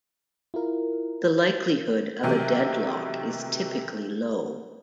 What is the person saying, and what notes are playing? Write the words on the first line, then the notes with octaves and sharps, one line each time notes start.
The likelihood of a deadlock is typically low.
E4 F4 A#4
C3 D#3 E3 F#3 A3